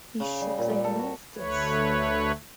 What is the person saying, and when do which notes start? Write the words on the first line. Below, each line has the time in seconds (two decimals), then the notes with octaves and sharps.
You should remove this.
0.20 C#3
0.41 G3
0.58 A#2
0.70 G3
0.84 A4
0.99 F#4
1.36 D2 A3 B4 C#5